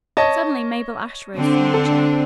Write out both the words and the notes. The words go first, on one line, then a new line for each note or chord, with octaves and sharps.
Suddenly Mabel Ashe rose from her chair.
C#5 D#5 A5
D3 C4 D4
A4